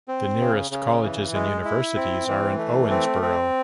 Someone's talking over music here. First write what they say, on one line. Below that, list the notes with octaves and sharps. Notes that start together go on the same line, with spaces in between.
The nearest colleges and universities are in Owensboro.
C4
C#3
C#3
E3
G#3
E4
C4
E3
A3
C4
C4